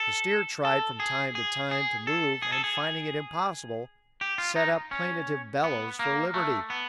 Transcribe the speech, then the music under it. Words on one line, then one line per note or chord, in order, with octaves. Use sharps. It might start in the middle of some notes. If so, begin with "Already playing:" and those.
The steer tried from time to time to move and, finding it impossible, set up plaintive bellows for liberty.
Already playing: A4
A4
G#4
G#4
G#4
A4
G#4
A4
G#4
G4
F4
D#4
C#4
B3
A#3
A3
B3